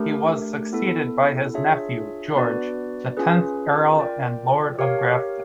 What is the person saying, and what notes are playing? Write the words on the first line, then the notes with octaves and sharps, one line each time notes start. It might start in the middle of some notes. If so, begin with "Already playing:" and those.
He was succeeded by his nephew, George, the tenth Earl and Lord of Grafton.
Already playing: A3 D4 G4 A#4
B3 E4 A4
D4 F4 G#4 C#5 E5
B3 D4 F#4 B4 D5
C#4 F4 G#4 B4
F4 A#4 D5 G5
G4 A#4 C#5 F5